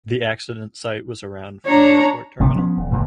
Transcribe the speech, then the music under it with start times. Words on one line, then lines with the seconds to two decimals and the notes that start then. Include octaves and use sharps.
The accident site was around from the airport terminal.
1.66 D4 C#5 A#5
2.40 G1 C3 B3
2.54 F3 B3 C#4
2.77 D#1
2.91 G1 C#2 A#2 E3